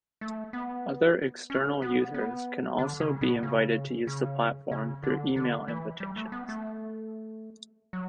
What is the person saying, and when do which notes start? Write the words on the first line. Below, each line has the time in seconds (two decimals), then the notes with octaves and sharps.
Other external users can also be invited to use the platform through email invitations.
0.21 A3
0.53 B3
1.50 C#4
1.82 B3
2.14 B3
2.79 D3
3.00 C#3
3.21 B2
3.43 C#3
4.07 C#3
4.71 C#3
5.03 D3
5.36 D3
5.68 E3
6.00 G3
6.16 A3
6.32 B3
6.49 A3
7.93 F#3